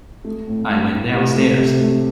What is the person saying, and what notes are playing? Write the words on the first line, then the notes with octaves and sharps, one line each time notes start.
I went downstairs.
A3
A2
A2
A2
C3
A3
C3
A3